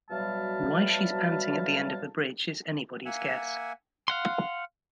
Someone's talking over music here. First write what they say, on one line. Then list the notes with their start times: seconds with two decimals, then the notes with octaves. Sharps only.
Why she's panting at the end of the bridge is anybody's guess.
0.11 B2 F#3 G3 E5 F5 A5
3.06 A#3 E5 F#5 G#5
4.08 F5 F#5 C6